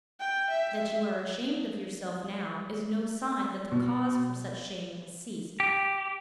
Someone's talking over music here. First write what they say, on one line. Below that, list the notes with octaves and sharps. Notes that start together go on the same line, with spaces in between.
That you are ashamed of yourself now is no sign that the cause for such shame has ceased.
G5
E5
B2
G4